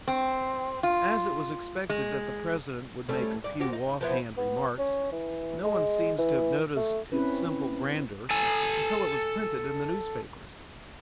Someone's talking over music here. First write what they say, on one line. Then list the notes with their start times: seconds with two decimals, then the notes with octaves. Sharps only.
As it was expected that the President would make a few offhand remarks, no one seems to have noticed its simple grandeur until it was printed in the newspapers.
0.08 C4
0.83 F4
1.89 G#3
3.09 G3 A3 C#4
3.44 G2 D5
3.60 F3 F#4 G4
3.73 D#4
4.01 F3 B3 E4
4.37 B3
4.78 C#4
5.12 E3
5.63 G#3
6.18 E3
6.76 A3
7.12 C4 C#4 E4 B4
8.31 A4 G#5